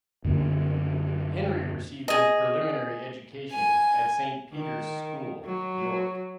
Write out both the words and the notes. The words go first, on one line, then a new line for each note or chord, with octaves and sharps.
Henry received his preliminary education at Saint Peter's School, York.
F#2 D3 A#3 C#4
G#4 D#5
G#5
D#3
F#3